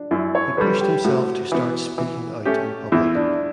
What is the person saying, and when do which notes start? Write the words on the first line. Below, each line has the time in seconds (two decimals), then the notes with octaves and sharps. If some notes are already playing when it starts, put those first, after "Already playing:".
He pushed himself to start speaking out in public.
Already playing: D4
0.11 F#2 E4
0.35 C#5
0.57 D3 G3 B4
0.81 G4
1.05 A2 F#4
1.52 E3 B3
1.98 E3
2.45 A3 C#4 G4
2.92 E2 E4
3.15 D4